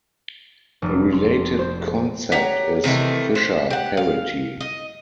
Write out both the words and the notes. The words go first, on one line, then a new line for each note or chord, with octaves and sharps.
A related concept is "Fisher parity".
F1
C6
C5
G4 C#5 F#5 A#5
C3 D#3 E3 A3
C5
G4 F#5
F5
D#5